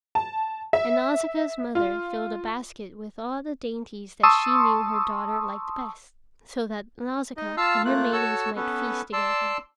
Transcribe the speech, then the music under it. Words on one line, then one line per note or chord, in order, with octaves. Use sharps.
And Nausicaa's mother filled a basket with all the dainties that she knew her daughter liked best, so that Nausicaa and her maidens might feast together.
A5
E5
F4
A5 C6 C#6 D#6 E6
D#4 D#5
F4 F5 A5 E6
A3 A#3 F4 F#6
F#4 A4 C#5 A5 E6
B3 C#4 A4 B4
D5 A5 C6 E6